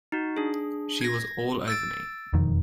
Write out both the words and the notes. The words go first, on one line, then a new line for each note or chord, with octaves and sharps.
She was all over me.
D#4 F#4
D4 G#4
G#6 A#6
E6 A6 D7
E1 F2 D#3